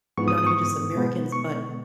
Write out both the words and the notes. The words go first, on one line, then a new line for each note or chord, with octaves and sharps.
not even just Americans, but
G#2 E3 B3 C#6
D#6
D#6
C#6
B2 G#3 B3
C#6